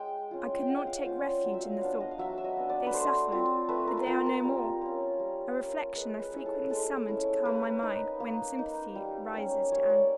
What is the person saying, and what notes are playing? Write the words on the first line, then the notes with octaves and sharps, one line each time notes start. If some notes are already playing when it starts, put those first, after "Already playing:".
I could not take refuge in the thought: they suffered, but they are no more! a reflection I frequently summon to calm my mind when sympathy rises to anguish.
Already playing: G#3 G5
C#4 F4
G5
G#3 F#5
F5
C#4 F4 C5
D5
F#3
E5
F5
B3 D4 F5
D#5
F5
F#3 E5
E5
D#5
B3 D4
D5
B4
A3 C5
C4 F4
A3 B4
A#4
B4
C4 F4 A#4
A#4
G3
A#3 C#4
G3
A#3 C#4
G#3 B4
B4
C#4 E4 G#4
A4
G#3 A4
C#4 E4
A#3 B4
D#4
A#3
D#4
G3
A#3 C#4
G3 C#5
D5